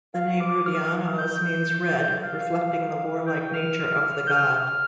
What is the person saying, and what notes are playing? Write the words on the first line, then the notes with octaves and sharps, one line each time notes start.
The name "Rudianos" means red, reflecting the warlike nature of the god.
F5
D6
F6
G6
F5
G5
F6
G6
F6